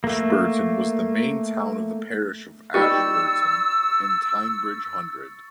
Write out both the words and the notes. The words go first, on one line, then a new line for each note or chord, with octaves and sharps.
Ashburton was then the main town of the Parish of Ashburton, in Teignbridge Hundred.
A3 A#3
G3 D#4 G4 C#6 E6 A6 C#7